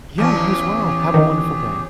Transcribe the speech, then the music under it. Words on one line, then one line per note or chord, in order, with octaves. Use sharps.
Yeah, you as well. Have a wonderful day.
E2 C#4 G4 G#4 C#5
D#3